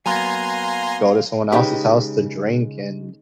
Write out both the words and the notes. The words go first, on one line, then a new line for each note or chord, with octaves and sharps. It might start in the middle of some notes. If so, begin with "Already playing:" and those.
go to someone else's house to drink, and,
F#3 A#3 B3 F5 G#5 A#5 C6
C#3 G#3 D#4 G4 B4